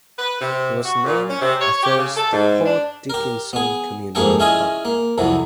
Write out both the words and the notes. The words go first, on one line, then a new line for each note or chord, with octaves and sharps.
It was named, at first, the Port Dickinson Community Park.
B4
C3
F#4
A#2
C#4
C3
C#5
G4
C#3
A4
G#2
D4
G4 A#4
B3 G#4
F2 G#2 A#3 G#4 A4 G5
C#4 E4 F4 G#4 D#5 G#5
A#3
C2 F2 C3 F#3